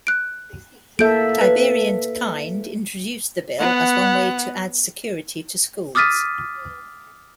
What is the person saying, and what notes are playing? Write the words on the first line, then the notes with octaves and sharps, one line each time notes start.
Tiberi and Kind introduced the bill as one way to add security to schools.
F#6 D7
A#3 A4 E5 G6 D7
B4
B3 F#5
D6 D#6 F6 A6 B6 D#7